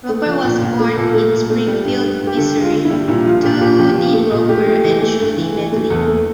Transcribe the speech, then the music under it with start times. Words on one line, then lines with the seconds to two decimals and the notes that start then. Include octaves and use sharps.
Roper was born in Springfield, Missouri, to Dean Roper and Shirley Medley.
0.09 A3
0.26 F3
0.44 A#2
0.62 A#2
0.79 A3
0.97 A#2 A4
1.14 A3
1.32 A#2
1.50 A3
1.67 G3
1.84 G2
2.03 G2
2.20 G2
2.27 G4
2.37 D3 A4
2.55 G2
2.61 F4
2.73 D3
2.85 E4
2.90 G3
3.08 A#2 E4
3.26 F3 F4
3.43 A#2 G4
3.56 F4
3.61 A#2 G4
3.79 F3 G4
3.96 F3
4.13 A3
4.31 A#2
4.49 A3 G4
4.67 A3
4.84 E3
5.02 A3
5.20 G2
5.37 E3
5.55 E3
5.72 A3
5.90 E2 A4
6.07 A3